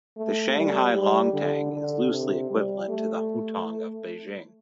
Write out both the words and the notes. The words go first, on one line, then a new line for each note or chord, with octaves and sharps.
The Shanghai longtang is loosely equivalent to the hutong of Beijing.
A3
G3
G3
D3
D3
C3
G3
A3